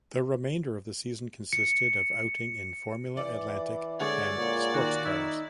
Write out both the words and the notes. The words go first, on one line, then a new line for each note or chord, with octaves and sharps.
The remainder of the season consisted of outing in Formula Atlantic and Sportscars.
C#7
E3 D5
D3 G#3 G#4 C#5 D5
A#2 C#5
D#3 F#4
D#4 E4